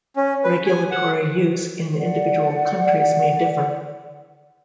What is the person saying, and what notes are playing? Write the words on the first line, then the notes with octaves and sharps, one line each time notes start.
Regulatory use in individual countries may differ.
C#4
B4
G#5
F#5
D5 F#5